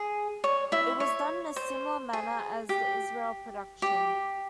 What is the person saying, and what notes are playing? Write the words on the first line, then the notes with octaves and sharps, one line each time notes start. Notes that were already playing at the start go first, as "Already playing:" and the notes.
It was done in a similar manner as the Israel production.
Already playing: G#4
C#5
E4 E5
C#5
C5
G#4
G4
G4